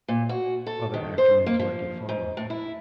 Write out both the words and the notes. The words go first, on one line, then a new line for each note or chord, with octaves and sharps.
Other afternoons like it followed.
A#2
F#4
A4
D#3
C5
A#3
F3
G#2
A2
E4